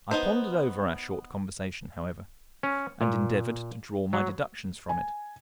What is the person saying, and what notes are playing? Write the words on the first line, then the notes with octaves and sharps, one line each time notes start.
I pondered over our short conversation, however, and endeavoured to draw my deductions from it.
B3 D#4 C5
C#4
A#2
F#3
G#5